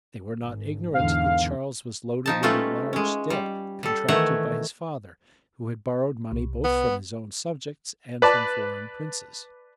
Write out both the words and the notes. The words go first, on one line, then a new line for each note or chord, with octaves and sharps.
They were not ignorant that Charles was loaded with a large debt, contracted by his father, who had borrowed money both from his own subjects and from foreign princes.
G#1
E2 G#2 D3 F5
F3 D#4 A5
G3 A3 C#4 F4 A4 B4
G#3 C#4
G3
G3 A4
D#3 E3 A3 C#5 E5 F#5
C2
B3
B4 D5 A5